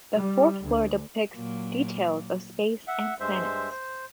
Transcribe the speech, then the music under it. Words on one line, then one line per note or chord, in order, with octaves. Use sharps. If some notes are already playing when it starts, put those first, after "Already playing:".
The fourth floor depicts details of space and planets.
G3
D2
A#2 F#3 A#3
E5 F#5
G2 G#3 C5 E5
C5